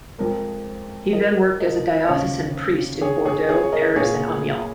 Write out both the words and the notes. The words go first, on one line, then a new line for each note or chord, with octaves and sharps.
He then worked as a diocesan priest in Bordeaux, Paris and Amiens.
F2 F3 G#3 A#4
A#4 D#5
A#4 D#5
D#5
D#2 C#3 F3 C#4 C#5 F5
G#4 C#5
G#4 C#5
G#4 C#5
C#5
A#4 D#5
A#2 A#3 F4 G#4 C#5